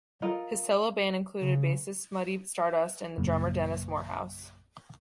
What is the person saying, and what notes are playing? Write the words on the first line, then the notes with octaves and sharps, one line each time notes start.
His solo band included bassist Muddy Stardust and drummer Dennis Morehouse.
F4 A4 A#4 D#5
C#3
A#1 F#2 A#2 C#3